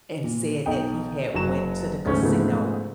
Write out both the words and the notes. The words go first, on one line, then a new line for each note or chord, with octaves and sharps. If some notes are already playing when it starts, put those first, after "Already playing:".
and said that he had went to the casino
A#2
B1 D#4 G5
F#1 F#3 E7
D2 G#2 A3 C#4
G#2 C#3 F3 A3 B3 C4